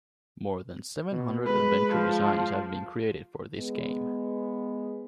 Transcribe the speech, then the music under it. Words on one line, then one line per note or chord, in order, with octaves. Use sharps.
More than seven hundred adventure designs have been created for this game.
B2
G#3 B4
F3
G#3 B3